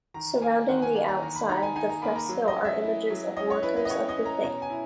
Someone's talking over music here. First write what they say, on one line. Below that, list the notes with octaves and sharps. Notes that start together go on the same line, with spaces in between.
Surrounding the outside the fresco are images of workers of the faith.
D#3 A#5
A#3 G#5
D#3 F#5
G#5
A#3 G#5
A#5
D#3 A#5
B5
D#4 A#5
G#5
D#4 G#5
A#5
A#3 B5
A#5
F#3
D#5
C#4
E5
E4
F#3
C#4 D#5
C#5
E4 B4
B4
D#5
C#4 C#5
D#5
C#4
A#5
B2 A#5
G#5
E4